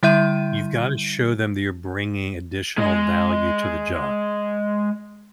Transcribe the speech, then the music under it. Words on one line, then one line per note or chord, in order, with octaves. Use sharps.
you've got to show them that you're bringing additional value to the job.
D3 G3 E4 E5 G6 D#7
G#3 D#5